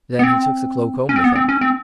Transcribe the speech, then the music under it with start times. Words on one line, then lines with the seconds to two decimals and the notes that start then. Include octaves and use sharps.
Then he took the cloak home with him.
0.19 B3
0.24 C4
1.09 C#4
1.16 C4
1.24 B3
1.35 C4
1.49 C#4
1.61 C4